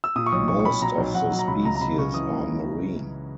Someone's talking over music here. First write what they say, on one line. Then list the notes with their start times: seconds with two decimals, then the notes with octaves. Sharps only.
Most of the species are marine.
0.04 E6
0.16 A#2 D#6
0.26 C#6
0.32 B1 D#6
0.48 B1 C#6
0.59 C#6
0.65 B1 B5
0.82 F#3 A#5
0.98 B1
1.15 B1 F#5
1.32 F#3
1.39 A#5
1.47 C#2 B5
1.65 C#2 A#5
1.75 A#5
1.81 C#2 B5
1.98 C#3 C#6
2.14 E3 D#6
2.30 C#2